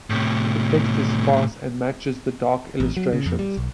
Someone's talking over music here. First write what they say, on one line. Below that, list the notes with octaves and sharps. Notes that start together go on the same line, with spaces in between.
The text is sparse and matches the dark illustrations.
A2 C3
A1
F#3
C#3
F2
G3
B1